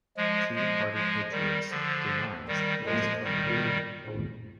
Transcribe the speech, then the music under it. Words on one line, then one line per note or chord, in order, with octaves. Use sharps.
Tea Party Patriots denies this claim.
F3 G#3
F3 G#3
F3 G#3
D#3 G3
D3 F3
D#3 G3
F3 G#3
D#3 G3